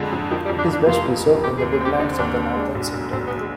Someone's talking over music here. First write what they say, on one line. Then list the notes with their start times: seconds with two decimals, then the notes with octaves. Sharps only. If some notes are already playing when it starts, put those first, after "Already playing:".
It is best preserved in the woodlands of the northern sector.
Already playing: F2 D3 G#3
0.12 F2
0.30 D#3 F3
0.45 G3
0.49 F2
0.58 D4
0.68 F2
0.73 D4
0.87 F1 F4
1.05 F2
1.24 C3
1.43 D#2 G4
1.57 G#4
1.62 D#2
1.72 G#4
1.81 C4 G4
1.99 D3 D#4
2.19 D#2 D4
2.37 D3
2.56 G#3 D4
2.75 B1
2.94 B1
3.12 B1 C4
3.27 B3
3.31 B1
3.41 G#3